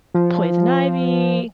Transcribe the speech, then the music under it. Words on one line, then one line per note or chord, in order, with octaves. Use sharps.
poison ivy,
F3